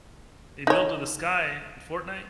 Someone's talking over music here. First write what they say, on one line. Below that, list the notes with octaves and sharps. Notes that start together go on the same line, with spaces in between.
They build to the sky in Fortnite?
D#4 C#5